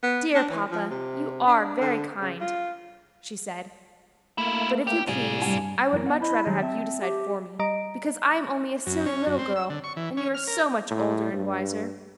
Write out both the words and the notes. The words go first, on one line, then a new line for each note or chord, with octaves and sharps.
"Dear papa, you are very kind," she said, "but if you please, I would much rather have you decide for me, because I am only a silly little girl, and you are so much older and wiser."
B3
D4
E3
F3
C3
D4
D3
C#3
F4
A3 A#3 E4 F4
G4
A2 C3 G3 F4 G#4
G2 G#5
F#2 E3 A#4
B3 F#5
E4 C5 D#5
D#3 F#3 G3 D#4
C4 E5 A5
G4
G3 D#5 A#5 D7
F#2
C#4
F#2
C4
E6
D3
C#6
E3
C#4
F6
A#4
A2
G2